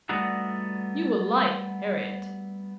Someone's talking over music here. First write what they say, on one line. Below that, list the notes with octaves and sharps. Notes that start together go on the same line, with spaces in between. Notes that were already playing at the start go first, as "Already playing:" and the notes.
You will like Harriet.
G3 A3 B3 D4 D#4 F#4